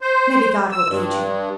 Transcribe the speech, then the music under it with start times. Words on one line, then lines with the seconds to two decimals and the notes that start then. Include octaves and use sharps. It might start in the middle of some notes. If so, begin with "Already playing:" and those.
Maybe God will aid you.
0.01 C5
0.72 E6
0.89 G2